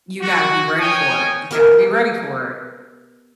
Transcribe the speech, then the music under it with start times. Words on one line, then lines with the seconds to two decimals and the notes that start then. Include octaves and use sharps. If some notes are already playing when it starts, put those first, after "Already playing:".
You gotta be ready for it. You gotta be ready for it,
0.21 F#4
0.78 C#5 G5 G#5 D#6
1.51 B3 G4 A#4 D#5 E5